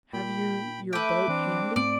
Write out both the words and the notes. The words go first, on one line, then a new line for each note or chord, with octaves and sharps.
"Have you your boat handy?"
A#2 G5 B5
A3 B4 E5 G5 D6
E3 C4 D4
G#2 A3 C4 D5 D7